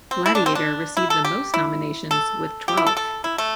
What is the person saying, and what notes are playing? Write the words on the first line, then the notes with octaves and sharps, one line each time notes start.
"Gladiator" received the most nominations with twelve.
C4
E4
D4
C4
D4
E4
A4
G4
E4
A4
G4
E4
A4
A4
E4
A3